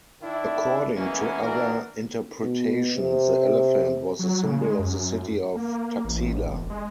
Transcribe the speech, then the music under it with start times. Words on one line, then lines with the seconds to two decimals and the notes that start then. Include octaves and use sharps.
According to other interpretations the elephant was the symbol of the city of Taxila.
0.22 D#3 D4 E4
0.96 E3 G#3 A#3 B3 C#4
1.43 E3 D4 F#4 A#4
2.41 B2
2.95 C3
4.19 F#3
4.44 C#3
4.61 G#3
4.79 F#2
5.56 A#3
6.05 A1
6.47 E1
6.70 G#3